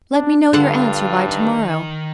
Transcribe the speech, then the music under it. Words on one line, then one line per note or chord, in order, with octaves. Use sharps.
Let me know your answer by to- morrow.
D4
G2 D3 F4 A4 F#5
D#3 D#4